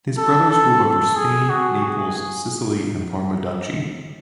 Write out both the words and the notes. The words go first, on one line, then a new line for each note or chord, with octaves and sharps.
His brothers rule over Spain, Naples, Sicily and Parma Duchy.
A4
A4
A4
G#4
F#4
G#4